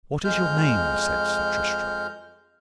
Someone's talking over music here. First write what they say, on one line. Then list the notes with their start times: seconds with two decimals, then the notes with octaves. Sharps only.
What is your name? said Sir Tristram.
0.24 F2 G#3 F6 G6